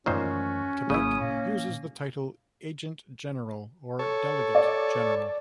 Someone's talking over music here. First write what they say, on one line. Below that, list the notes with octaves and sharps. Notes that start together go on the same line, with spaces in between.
Quebec uses the title Agent-General or Delegate-General.
F#2 A#2 D#3 E3 A3 C#4 F#4 C5
G#1 C#3 F#3 A#3 E4 D#6
A#2 A#3
A4 C#5
D5